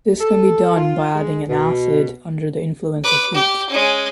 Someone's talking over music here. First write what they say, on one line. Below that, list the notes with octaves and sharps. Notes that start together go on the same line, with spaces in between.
This can be done by adding an acid under the influence of heat.
A4
F4
G#3
B2
B4 D6
G4
G#3 C#4